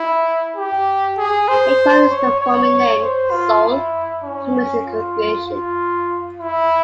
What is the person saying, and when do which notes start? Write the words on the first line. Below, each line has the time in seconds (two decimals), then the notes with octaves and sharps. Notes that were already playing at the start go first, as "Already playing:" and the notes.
He acquired his performing name, "Soul," from his congregation.
Already playing: E4
0.56 G4
1.17 G#4
1.48 C5
2.10 C#5
2.41 C#5
3.02 C5
3.31 F4
3.62 E4
4.24 C#4
4.84 F4
5.46 F4
6.37 E4